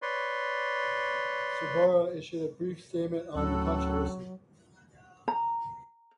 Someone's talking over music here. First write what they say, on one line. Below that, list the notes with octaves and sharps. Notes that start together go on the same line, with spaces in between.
Sorbara issued a brief statement on the controversy.
B4 C#5 D5 C6
D2 A2 F#3 C#4 A4 F#6
A#5